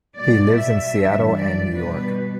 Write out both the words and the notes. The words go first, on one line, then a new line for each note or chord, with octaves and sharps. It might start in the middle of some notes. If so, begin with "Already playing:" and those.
He lives in Seattle and New York.
B2 G3 D5
E5
G2 E3 G3
D5
B2 G3 B4